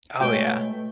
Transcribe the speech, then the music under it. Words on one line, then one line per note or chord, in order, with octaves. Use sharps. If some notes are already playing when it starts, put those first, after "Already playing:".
Oh, yeah.
B2 G#3 A3 D#4 F#4 C#5 G5